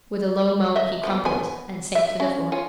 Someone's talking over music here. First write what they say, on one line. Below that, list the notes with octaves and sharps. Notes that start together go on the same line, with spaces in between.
With a low moan he crumpled and sank to the floor.
D#5 E5
F3 G#3 B3
B3 G#5
E5
C#4
F4 C#5 G#5